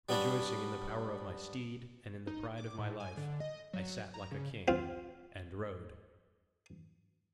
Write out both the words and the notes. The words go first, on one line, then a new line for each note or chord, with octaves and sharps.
Rejoicing in the power of my steed and in the pride of my life, I sat like a king and rode.
G3 B3 C#4 D4
D#4
D6
A2
G#5
D3
D#5
F#3
A#5
C#3
C4 F4